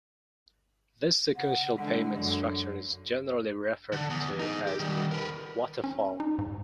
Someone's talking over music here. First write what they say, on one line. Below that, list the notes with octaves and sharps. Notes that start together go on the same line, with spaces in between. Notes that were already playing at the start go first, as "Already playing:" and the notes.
This sequential payment structure is generally referred to as the "waterfall".
C#3 F#5
D3 E3 G#3
F#2 D3
D3
E2
D#4 G#4
G4
D#3 G3
A#4 B4
C#4
D#4
G#2